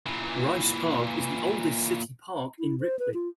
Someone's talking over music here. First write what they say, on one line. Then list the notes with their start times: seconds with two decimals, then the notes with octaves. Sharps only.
Rice Park is the oldest city park in Ripley.
0.06 A#2 E3
2.59 E4
2.81 C5
2.99 B4
3.14 F4